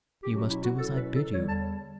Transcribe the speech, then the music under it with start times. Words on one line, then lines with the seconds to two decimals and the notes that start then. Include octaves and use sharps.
You must do as I bid you.
0.23 B2 F#3 C#4 E4 G4
0.37 F#4
0.51 E4
0.64 F#4
0.78 B2 F#3 C#4 E4 A4
0.96 B4
1.14 A4
1.32 E2 D3 G3 C#5
1.46 A5